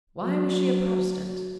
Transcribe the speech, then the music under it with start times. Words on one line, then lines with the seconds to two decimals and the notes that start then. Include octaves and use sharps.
Why was she a Protestant?
0.23 F#3